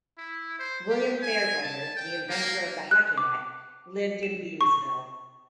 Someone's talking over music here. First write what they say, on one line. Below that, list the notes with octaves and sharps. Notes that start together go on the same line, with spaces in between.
William Fairbrother, the inventor of the hockey net, lived in Beamsville.
E4
C5
G4
G#5
A5
G5
A#3
F#6
D6
E7
C#6